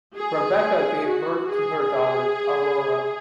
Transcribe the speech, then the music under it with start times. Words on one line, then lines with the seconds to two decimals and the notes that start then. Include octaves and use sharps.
Rebecca gave birth to her daughter, Aurora.
0.16 G#4
1.07 F#4
1.54 G#4